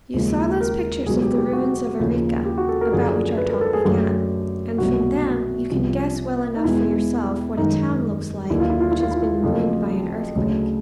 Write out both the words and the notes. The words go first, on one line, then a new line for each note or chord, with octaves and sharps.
You saw those pictures of the ruins of Arica, about which our talk began; and from them you can guess well enough for yourself what a town looks like which has been ruined by an earthquake.
D#2 C#3 F3 G#3
A#4
C#2 B2 F#3 G#4
G4
G4
F#4
D#2 C#3 F3 A#3
G4
F#4
A4
A#4
F#2 D3 F3 A#3 G#4
B4
A#4
A4
G#4
F#2 D3 F#3 A3 G4
C2 B2 F#3 A3 F#4
C2 C3 F3
D#4
E2 B2 G#3 E4
F#2 D#3 G#3 D#4
D#2 D3 F#3 E4
F4
E4
F4
E4
F4
E4
F2 C#3 F#3 A3 F4
D2 C#3 F#3